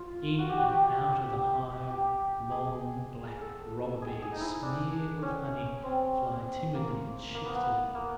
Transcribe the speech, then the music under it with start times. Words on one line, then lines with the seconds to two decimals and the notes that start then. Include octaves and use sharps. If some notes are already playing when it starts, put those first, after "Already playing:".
In and out of the hive long black robber bees smeared with honey fly timidly and shiftily.
Already playing: F4
0.39 F#4
0.49 G4
0.59 F#4
0.69 G4
1.30 G4
1.90 G4
2.51 G#4
3.41 A4
4.02 G#4
4.22 G#4
4.32 D#4
4.40 E4
4.48 D#4
4.63 D4
5.23 C#4
5.83 C4
6.75 A#3
7.35 A#3
7.45 B3
7.55 B3
7.95 A#3